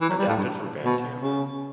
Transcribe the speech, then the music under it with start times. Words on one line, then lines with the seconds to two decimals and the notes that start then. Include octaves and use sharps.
Adapted from Bandcamp.
0.01 E3
0.09 F#3
0.19 G3
0.28 A2
0.38 G2
0.85 B2
1.22 C#3